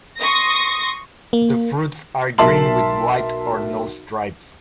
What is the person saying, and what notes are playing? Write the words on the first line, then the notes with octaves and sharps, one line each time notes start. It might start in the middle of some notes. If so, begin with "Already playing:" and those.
The fruits are green with white or no stripes.
C6 C#6 D#6 A#6
A#3
B1 A#4 E5 A5 C6 F#7